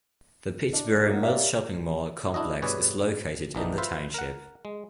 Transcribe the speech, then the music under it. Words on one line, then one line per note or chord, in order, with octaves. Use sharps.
The Pittsburgh Mills shopping mall complex is located in the township.
D4
A#3 C#4 D#4 D#5 F#5
G4 A#4 C#5 D5 E5 F5
D4 E4 F#4 D#5
G2 B2 G#4 B4 C#5 D5
A#1 E3 D4 D#4
F4 B4 C5 E5
A#4 F#5
G#3